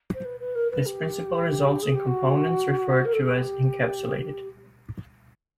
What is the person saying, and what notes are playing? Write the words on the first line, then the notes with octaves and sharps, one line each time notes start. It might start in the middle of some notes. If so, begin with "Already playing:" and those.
This principle results in components referred to as "encapsulated".
C5
B4
B4
A#4
B4
G4
G#4
G4
F#4
A#4
A4
G#4
G4